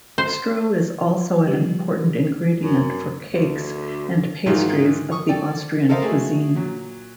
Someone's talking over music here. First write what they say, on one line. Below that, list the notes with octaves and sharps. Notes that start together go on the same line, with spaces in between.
Stroh is also an important ingredient for cakes and pastries of the Austrian cuisine.
C5
C#3 F3 G3
F#2
D2
G#2 D#3 E3 F#3 D#4 F4
C#6 D#6
A4 D5 G5
A4 A#4 C5 D#5 F5
A3 F#4 G#4
A#2 F#3